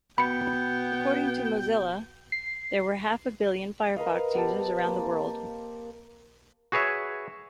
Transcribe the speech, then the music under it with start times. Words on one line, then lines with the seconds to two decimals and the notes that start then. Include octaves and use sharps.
According to Mozilla, there were half a billion Firefox users around the world.
0.18 B2 B3 G5 B5 C#7
2.32 C7
3.96 A#4 B4 D#5 F5
4.34 B3 G4 A4
4.84 A#3 C4
6.72 F#4 G#4 B4 C#5 E5